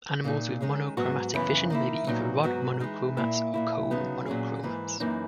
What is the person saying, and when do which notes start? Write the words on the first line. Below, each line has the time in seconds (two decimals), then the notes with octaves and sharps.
Animals with monochromatic vision may be either rod monochromats or cone monochromats.
0.24 A#2 A#3 D#4
0.61 D#3 G#3 C#4 G#4
0.97 G#2 F#3 B3 F#4
1.34 F#2 C#3 E3 B3 E4
1.70 D#3 A#3 E4
2.07 A#2 F#3 B3 D#4
2.43 G#2 F#3 B3 F#4
2.80 E3 G#3 D#4
3.17 A#2 A#3 E4
3.54 A#2 A#3 E4
3.91 C#3 F#3 B3 D#4
4.26 A#2 F#3 C#4 G#4
4.63 G#2 E3 A#3
5.00 F#2 E3 A#3 D#4